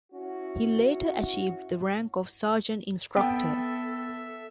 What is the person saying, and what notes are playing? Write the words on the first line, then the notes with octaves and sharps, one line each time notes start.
He later achieved the rank of Sergeant Instructor.
C#4 E4 F#4
B3 A4 E5 G5